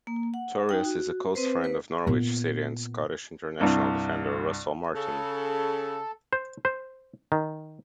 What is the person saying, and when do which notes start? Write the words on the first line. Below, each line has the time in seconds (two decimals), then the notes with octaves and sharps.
Torres is a close friend of Norwich City and Scottish International defender Russell Martin.
0.07 A#3
0.34 F#5
0.69 D#4 G5
0.85 F#4
1.35 C4 B4 C5
1.64 B4
2.07 A#2 B3
3.61 C2 G2
4.94 C#3 A4
6.33 C5
6.65 C5
7.32 D#3